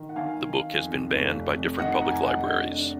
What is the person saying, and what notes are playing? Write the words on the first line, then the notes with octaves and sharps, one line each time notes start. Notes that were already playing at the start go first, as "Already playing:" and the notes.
The book has been banned by different public libraries.
Already playing: D#3
F#5
D#3 F5 G#5
D#3
F2
F1
F2
D#3 D#5 F#5
F#5 A#5
F1 G#5
D#5 F#5
D4 D#5 F#5
D4